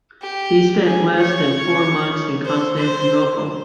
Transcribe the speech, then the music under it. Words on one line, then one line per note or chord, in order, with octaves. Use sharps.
He spent less than four months in Constantinople.
G4
G#4
C#5
C5
C5